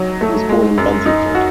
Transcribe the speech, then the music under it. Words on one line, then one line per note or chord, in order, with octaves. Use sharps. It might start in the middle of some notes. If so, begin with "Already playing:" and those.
He was born in Buntingford.
Already playing: F#3 D#4
A3
G#3
F#2
D#4
F#4